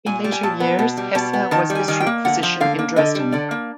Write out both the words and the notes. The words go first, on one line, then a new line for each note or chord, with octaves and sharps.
In later years, Hesse was district physician in Dresden.
A#2 G#5
G3
G#5
A#2 A5
B3
B2 A5
G3
B2 A5
B3
D#3 A5
G3
G#5
D#3 G#5
G5
A#3
D3 F#5
F3
D3 F5
A#3
D3 D#5
G3
D3 D5
A#3